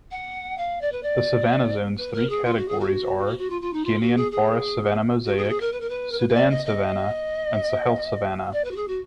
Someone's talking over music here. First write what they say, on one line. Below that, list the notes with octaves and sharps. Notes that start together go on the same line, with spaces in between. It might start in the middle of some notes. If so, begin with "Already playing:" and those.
The savannah zone's three categories are Guinean forest-savanna mosaic, Sudan savannah, and Sahel savannah.
F#5
F5
D5
B4
D5
B4
A#4
G#4
F4
F#4
G#4
F#4
F#4
F4
F4
D#4
F4
F#4
G#4
G#4
F#4
G#4
F#4
G#4
A#4
B4
A#4
B4
A#4
B4
B4
D5
D#5
D#5
D5
B4
F#4
G#4
F#4